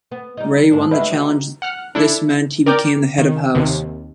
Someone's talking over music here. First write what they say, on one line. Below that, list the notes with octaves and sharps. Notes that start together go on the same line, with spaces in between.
Ray won the challenge, this meant he became the "Head of House".
B3
G3 D#4
D2 G#2 D4
G3 G#3 F#4 B4 D#5 E5
D#4 F#4 G4
F#5 F6 F#6
D4 E4 A4
A#4 D5 G5 D6 G6
D#3
D#2 C3